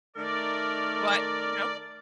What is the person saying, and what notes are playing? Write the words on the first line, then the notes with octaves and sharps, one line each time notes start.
but, you know,
D#3 A3 A#4 D5